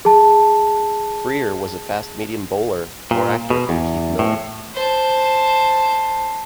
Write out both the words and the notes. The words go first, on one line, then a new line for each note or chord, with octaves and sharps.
Freer was a fast-medium bowler more accurate than Keith Miller.
G#4 A5
A#2
B2
E2
A2
C5 A5